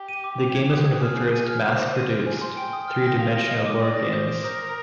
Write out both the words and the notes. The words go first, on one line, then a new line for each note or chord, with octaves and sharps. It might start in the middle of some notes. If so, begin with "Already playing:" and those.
The game was one of the first mass-produced, three-dimensional board games.
Already playing: G4
D#7
D6
G4 F7
G#6
D#6
G#6
G#4 F6
C7
D#7
F6
C5 D6
F6
D#7
G6
G#5
C6
G5 D7
D#6
F6
A#6
F5 F7
A#6
D#5 C7
D6
D5 D#6
A#6
C5 G6
D7
A#4 D#6
A#6